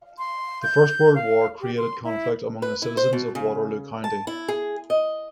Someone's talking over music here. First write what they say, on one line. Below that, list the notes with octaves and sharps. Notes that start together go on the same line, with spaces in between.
The First World War created conflict among the citizens of Waterloo County.
C6
G6
F5
G4
C6
E4
B4
E4
C5
B2
C#3
A5
E4
G#4
D#5